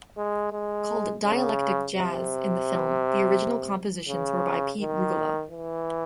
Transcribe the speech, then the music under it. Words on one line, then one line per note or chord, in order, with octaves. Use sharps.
Called "dialectic jazz" in the film, the original compositions were by Pete Rugolo.
G#3
G#3
C#3
C3
C#3
D#3
E3